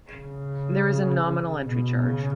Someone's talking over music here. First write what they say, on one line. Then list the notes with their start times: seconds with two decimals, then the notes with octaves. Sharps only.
There is a nominal entry charge.
0.12 C#3
1.65 B2
2.04 C#3